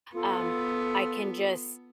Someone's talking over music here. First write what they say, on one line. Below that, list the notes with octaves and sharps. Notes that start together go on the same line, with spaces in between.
um, I can just
B3 F4 A4